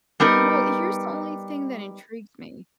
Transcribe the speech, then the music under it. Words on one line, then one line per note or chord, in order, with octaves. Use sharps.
Well, here's the only thing that intrigues me
G3 B3 D#4 A#4